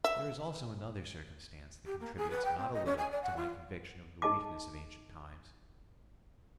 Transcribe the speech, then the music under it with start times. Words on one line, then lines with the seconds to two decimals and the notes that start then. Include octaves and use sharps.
There is also another circumstance that contributes not a little to my conviction of the weakness of ancient times.
0.04 E5
1.86 G4
2.00 A#3
2.16 G#4
2.30 B4
2.45 G5
2.58 C4
2.73 D#5
2.85 C#4
2.98 G#5
3.11 D5
3.23 F#5
3.36 F4
4.22 D#4 G#4 D#5 A5 D6